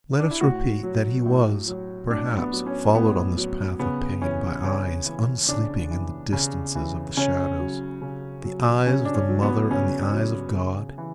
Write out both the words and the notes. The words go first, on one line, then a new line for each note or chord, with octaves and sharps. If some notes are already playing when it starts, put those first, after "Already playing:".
Let us repeat that he was, perhaps, followed on this path of pain by eyes unsleeping in the distances of the shadows--the eyes of the mother and the eyes of God.
D4
E4
A2 F#4
F#3
A2
F#3
A2 D4
B3
F#3
C#4
A2 B3
F#3
C#3 B3
E3 C#4
C#3 C#4
E3
C#3 D4
E3
C#3
E3
C#3 C#4
F#3
C#3
F#3
C#3 C#4
D4
C#4
F#3
B3
C#3 C#4
F#3
C#3
E3